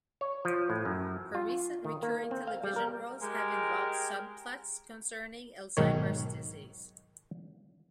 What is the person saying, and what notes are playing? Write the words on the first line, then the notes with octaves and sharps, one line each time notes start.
Her recent recurring television roles have involved subplots concerning Alzheimer's disease.
C#5
F3
A2
F#2
F4
D#3
A#3
C4
F5
G3
A#4
G#3 G4 A#4
B1 G#2 D#3 C#5